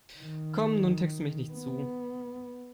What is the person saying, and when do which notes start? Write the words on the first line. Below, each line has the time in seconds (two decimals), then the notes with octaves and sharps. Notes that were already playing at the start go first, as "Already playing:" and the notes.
Komm, nun texte mich nicht zu.
0.20 D#3
1.53 B3